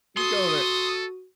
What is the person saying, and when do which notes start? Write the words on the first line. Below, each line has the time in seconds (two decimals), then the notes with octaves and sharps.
you go to
0.17 F#4 A4 C6 D#6